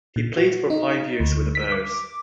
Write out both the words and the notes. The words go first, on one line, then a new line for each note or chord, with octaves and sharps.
He played for five years with the Bears.
A#2
F#4
D#4
D2
B6
D6